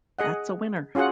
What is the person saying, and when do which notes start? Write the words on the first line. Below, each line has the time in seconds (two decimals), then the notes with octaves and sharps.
That's a winner!
0.19 G#4 D#5 F#5
0.95 C#4 F4 F#4 G#4 F#5